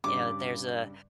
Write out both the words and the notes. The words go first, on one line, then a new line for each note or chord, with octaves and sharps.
you know, there's a
G2 C#3 G3 D6